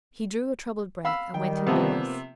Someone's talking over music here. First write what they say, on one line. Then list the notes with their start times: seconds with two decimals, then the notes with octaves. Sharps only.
He drew a troubled breath, and went in-doors.
1.05 F5 B5 E6
1.34 D#3 G3 G5
1.67 C3 F3 A#3 B3